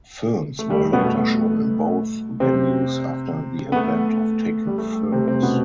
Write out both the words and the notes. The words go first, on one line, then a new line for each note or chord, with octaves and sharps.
Films were later shown in both venues after the advent of talking films.
A3
G3
A3
B2 B3
A3
C3 C4
B3
A3
G3
A3
C3 C4
C3 C4
B2 B3